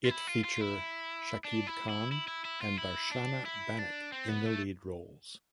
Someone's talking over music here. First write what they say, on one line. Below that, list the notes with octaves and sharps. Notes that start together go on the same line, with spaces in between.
It feature Shakib Khan and Darshana Banik in the lead roles.
F4
E4
F4
F4
E4
D4
E4
E4
E4
E4
E4
F4
E4
D4
E4
D4
C4
B3
A3